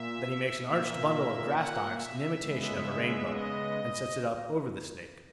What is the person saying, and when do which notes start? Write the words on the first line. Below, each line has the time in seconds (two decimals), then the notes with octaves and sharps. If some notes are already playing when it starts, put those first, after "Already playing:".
Then he makes an arched bundle of grass stalks in imitation of a rainbow, and sets it up over the snake.
Already playing: A#2 E5
0.60 A#2 A#3 E5
1.48 F#5
1.93 E5
2.38 C#3 G#3 B3
3.26 D#5